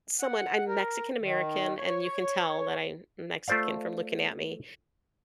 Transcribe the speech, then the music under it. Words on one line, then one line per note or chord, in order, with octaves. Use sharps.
someone I'm Mexican American, and you can tell that I'm Mexican from looking at me,
F#5
A#4
D#3
C#5
A3 F4 C5 D5 F5